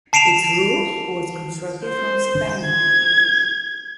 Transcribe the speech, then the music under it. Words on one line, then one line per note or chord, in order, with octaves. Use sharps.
Its roof was constructed from savanna.
A5 C7 D7 E7 F7
C5
G#6